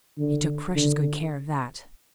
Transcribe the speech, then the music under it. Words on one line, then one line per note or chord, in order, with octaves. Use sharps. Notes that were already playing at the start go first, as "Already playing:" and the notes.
He took precious good care of that.
D3
D3